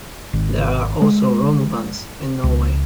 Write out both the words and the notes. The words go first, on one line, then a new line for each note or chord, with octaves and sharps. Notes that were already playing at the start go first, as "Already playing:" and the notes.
There are also Romuvans in Norway.
G#1
G#3
C#2